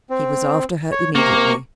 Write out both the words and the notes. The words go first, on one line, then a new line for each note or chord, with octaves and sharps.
He was after her immediately.
C4
C#5
C3 A#3 C#6